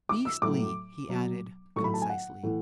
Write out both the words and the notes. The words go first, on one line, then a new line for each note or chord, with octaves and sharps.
"Beastly!" he added concisely.
D6
E6
A2 F#3 D6
B2 F#3
A2 F#3 C#6
B5
A5
G#5
F#5
A2 E3